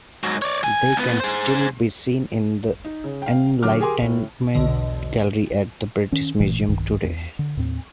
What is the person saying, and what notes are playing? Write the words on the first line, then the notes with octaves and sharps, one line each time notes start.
They can still be seen in the Enlightenment Gallery at the British Museum today.
G#2 F#3
C#5 D5
D#3 G#5
C#2 B3
G#4 C5
D#4
C#3
F5 G5
D3 F#3 D6 F6
G4 G#4 A#4 G#5 C6 D6
A2
B1 E2 B2 D3 D#5
D#3 C#4
G1 A#2 E3 A3
D1 B1 G2 D#3
E2
D3
D#2 A2 C4